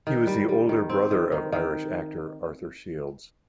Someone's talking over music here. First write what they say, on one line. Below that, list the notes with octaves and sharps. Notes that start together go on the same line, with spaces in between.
He was the older brother of Irish actor Arthur Shields.
D#3
G3
G3
D#3
C4
D#3
D#3
D#3